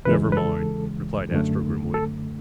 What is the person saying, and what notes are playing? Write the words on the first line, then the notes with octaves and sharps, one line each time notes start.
"Never mind," replied Astro grimly.
E2 C#3 E3 G#3 B4
B4
A4
F#2 D3 A3
A4